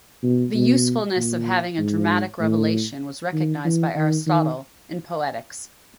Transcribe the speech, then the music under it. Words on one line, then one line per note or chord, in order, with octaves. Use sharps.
The usefulness of having a dramatic revelation was recognized by Aristotle, in "Poetics".
B2
B2
A#2
G#2
A2
D#3
E3
D#3
D#3